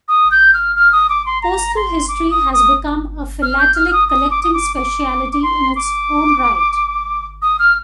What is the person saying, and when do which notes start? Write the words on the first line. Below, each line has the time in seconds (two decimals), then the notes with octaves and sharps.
Postal history has become a philatelic collecting speciality in its own right.
0.08 D#6
0.31 G6
0.54 F6
0.76 F6
0.92 D#6
1.09 D6
1.26 C6
1.42 A#5
1.76 C6
2.08 D6
2.31 D#6
2.53 D#6
3.42 F6
3.59 G6
3.75 F6
3.88 F6
3.93 D#6
4.08 D#6
4.31 D6
4.43 D#6
4.54 D6
4.76 D6
5.32 D6
5.43 C6
5.76 D6
7.42 D#6
7.59 F6